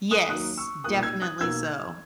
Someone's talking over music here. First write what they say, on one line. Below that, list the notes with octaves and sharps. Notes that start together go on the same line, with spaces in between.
Yes. Definitely so.
D#6 F#6
D#2 D#3 F#3 A#3 D#6 F#6
C#6 E6
B1 A#2 A#3 D#6 F#6
E6 G#6
D#6 F#6
B1 B2 A#3 E6 G#6